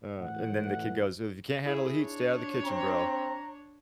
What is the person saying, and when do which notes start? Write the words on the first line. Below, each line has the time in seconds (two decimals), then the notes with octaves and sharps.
Uh, and then the kid goes, "if you can't handle the heat, stay out of the kitchen, bro."
0.19 A2 E3 F#5
1.64 E4 G#4
2.01 D4 C#5
2.65 C4 A#5